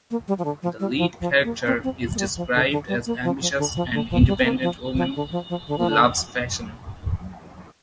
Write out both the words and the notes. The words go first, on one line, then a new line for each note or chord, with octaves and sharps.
The lead character is described as ambitious and independent woman who loves fashion.
A#3
G3
F3
D3
F3
G3
F3
F3
A#3
C4
C4
A#3
G3
F3
D3
D3
G3
A#3
F3
F3
D3
F3
D3
F3
G3
C4
A#3
F3
F3
D3
F3
F3
D3
F3
D3